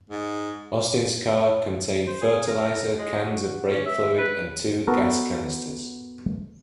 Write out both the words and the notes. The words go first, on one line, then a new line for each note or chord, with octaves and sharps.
Austin's car contained fertilizer, cans of brake fluid, and two gas canisters.
G#2
C5
G#4
A#4
G#3
F#4
C#4
E5
B4
B3 F#4 A4 A#4